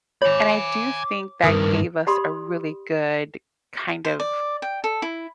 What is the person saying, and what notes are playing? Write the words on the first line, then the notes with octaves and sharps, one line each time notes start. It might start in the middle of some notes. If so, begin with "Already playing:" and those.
and I do think that gave us a really good kind of
C#5 G#5 B5 D6
G2 D#3 A#4 B4 D#6
G4 D5 B5 C6 D#6
C5
D5
G5
A4
E4